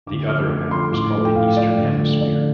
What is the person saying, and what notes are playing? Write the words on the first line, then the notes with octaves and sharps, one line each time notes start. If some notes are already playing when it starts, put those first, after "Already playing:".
The other half is called the Eastern Hemisphere.
D3 D6
F3 A3 F6
D3 D6
F3 A3 C6
A2 D6
F3 A3
G5
A2 F5
F3 A3 D5
D3
F3 A3
D3 D5